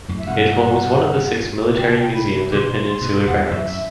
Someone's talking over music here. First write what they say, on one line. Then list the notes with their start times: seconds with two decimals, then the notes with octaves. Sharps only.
It forms one of the six military museums at Peninsular Barracks.
0.09 F#2 A2
0.18 E5
0.27 G2 B2 F#5
1.77 A2 C3 G5
1.89 A5
1.99 G5
2.14 B5
2.52 B2 D3 C6 D6
2.90 C6
3.01 G2 B2
3.26 E2 G2 F#5
3.45 E5
3.51 F#2 A2
3.64 E5